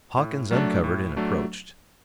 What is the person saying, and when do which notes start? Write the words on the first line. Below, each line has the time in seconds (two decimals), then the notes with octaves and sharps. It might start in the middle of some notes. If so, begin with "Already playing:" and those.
Hawkins uncovered and approached.
0.18 A2
0.51 F#3 A3 D4
0.84 A2
1.17 F#3 A3 D4